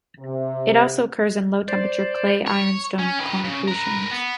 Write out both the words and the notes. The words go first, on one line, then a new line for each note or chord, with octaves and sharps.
It also occurs in low-temperature clay-ironstone concretions.
C3
C5 D5
C#5
C#4
D#3 B4
C#3
A#4 B4
B3